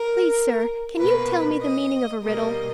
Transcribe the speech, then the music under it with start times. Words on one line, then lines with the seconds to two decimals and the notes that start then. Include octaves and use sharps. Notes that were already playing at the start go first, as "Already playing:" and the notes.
"Please, sir, can you tell me the meaning of a riddle?"
Already playing: A#4
0.97 B2 A#3 B4
1.62 D#5
2.23 B2 G3 A#3 D#5